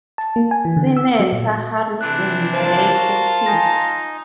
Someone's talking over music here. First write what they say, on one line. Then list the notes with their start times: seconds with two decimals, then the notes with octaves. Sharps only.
Senator Harrison Gray Otis.
0.18 A5
0.36 A#3
0.51 G#5
0.65 E3
0.77 D3
0.97 E6
1.19 F#3
1.32 A#2
2.01 C3 E3 D4 F#6
2.53 F4 A#4 C5 A5
2.93 F#4
3.46 D#4 G#5 A#5 A#6